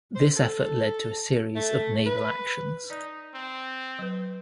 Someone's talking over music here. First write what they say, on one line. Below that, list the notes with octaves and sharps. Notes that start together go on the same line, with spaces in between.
This effort led to a series of naval actions.
C5
A4
A3
B4
D#4 D5
C4
F#3 B4